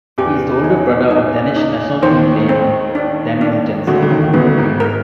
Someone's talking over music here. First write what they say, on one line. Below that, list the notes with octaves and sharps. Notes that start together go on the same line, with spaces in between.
He is the older brother of Danish national team player Daniel Jensen.
E2 E3 G4
D#4
D#4
D#4
D#2 D#3 C5
C4
D4
D4
D2 D3 F#4
D3
D#2 D#3
D#3
D2 D3 B3
G#1 G#2
A#4